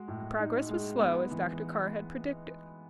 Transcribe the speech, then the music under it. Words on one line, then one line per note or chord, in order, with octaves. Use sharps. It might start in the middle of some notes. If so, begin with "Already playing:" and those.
Her progress was slow, as Dr. Carr had predicted.
Already playing: G#3 F#4
A2
D#4
G#3
B3
E3